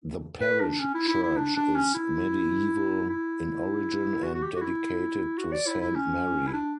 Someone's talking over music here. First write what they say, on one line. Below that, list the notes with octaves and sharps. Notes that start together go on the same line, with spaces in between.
The parish church is medieval in origin and dedicated to Saint Mary.
B4
D4
C#4
E4
E4
E4
D4
D4
C#4
E4
E4
F#4
F#4
G4
F#4
E4
F#4
D5
E4
E4
C#4
E4
D4